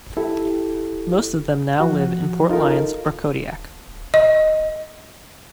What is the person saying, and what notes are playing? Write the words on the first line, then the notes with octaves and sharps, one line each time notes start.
Most of them now live in Port Lions or Kodiak.
E4 G4 A4
F3 F#4 F#5
D#4 F4 A4 A#4
D#5